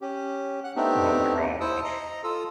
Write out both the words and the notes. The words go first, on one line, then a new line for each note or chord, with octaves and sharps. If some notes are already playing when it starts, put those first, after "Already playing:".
Oh my gosh.
C#4 G4
F#5 F#6
A3 B3 C4 D4 D#4 G4
E4 C5 A5 D#6 E6
D#5 A#5
F4 A4 D#6 E6